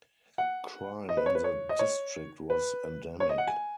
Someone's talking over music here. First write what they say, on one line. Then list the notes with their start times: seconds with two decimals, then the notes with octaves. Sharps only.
Crime in the district was endemic.
0.38 F#5
1.09 D#5
1.17 B4
1.26 C#5
1.35 B4
1.44 C#5
1.69 D#5
1.79 C#5
2.50 B4
3.20 C#5
3.29 D#5
3.38 F#5
3.47 G#5